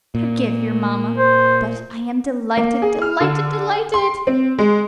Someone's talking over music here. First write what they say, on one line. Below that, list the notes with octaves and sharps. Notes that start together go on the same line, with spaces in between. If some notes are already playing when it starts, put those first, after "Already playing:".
Forgive your mamma; but I am delighted, delighted, delighted!
A#2
C5
A#3
G#4
F6
D3
C6
C4
G#3